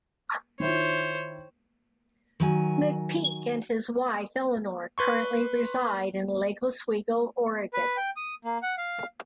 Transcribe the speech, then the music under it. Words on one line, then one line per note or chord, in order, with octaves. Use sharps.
McPeak and his wife Elynor currently reside in Lake Oswego, Oregon.
D#3 E4 F4 C5 C#5
D#3 F#3 G#5
B4 C6 C#6
B4
G5
D#6
A#3
F#5
F5